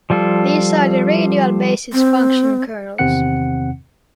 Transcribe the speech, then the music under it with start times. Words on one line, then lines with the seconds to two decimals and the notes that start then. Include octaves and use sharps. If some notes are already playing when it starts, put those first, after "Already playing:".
These are the radial basis function kernels.
0.10 F3 G3 F4 A4
1.93 C4
2.98 E2 C3 D#3 C4 F#5 C#7